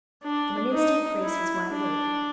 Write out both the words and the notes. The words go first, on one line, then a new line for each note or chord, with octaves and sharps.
In an instant Grace was wide awake.
D4
D#4
E4
D4